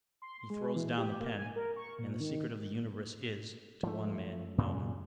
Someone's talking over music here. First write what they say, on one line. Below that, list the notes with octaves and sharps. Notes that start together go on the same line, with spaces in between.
He throws down the pen; and the secret of the universe is, to one man, known.
C6
C6
G#3
E3
G4
A#3
G#5
A#4
C#6
A#2
D#3
F3 A3
F#2 A#2 C#3 G#3